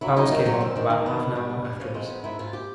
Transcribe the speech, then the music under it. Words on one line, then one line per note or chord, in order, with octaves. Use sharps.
Bowers came up about half an hour after us.
F#3 E4
F#3 D#4
D#3 D4
F#3 C#4
G#2 C4
D#3 D4
D#3
B3
G#2
G3
B3
G3
D4
F3 C#4
G#3 C4
G#2 B3
G#2 E4
G#2 F4
G4